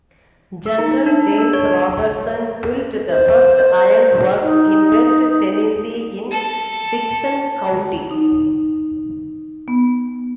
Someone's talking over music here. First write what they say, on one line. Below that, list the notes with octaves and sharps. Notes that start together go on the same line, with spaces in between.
General James Robertson built the first iron works in west Tennessee in Dickson County.
E6
D#4
D4
E6
C#5
C5
D#4
A4
D#4
B3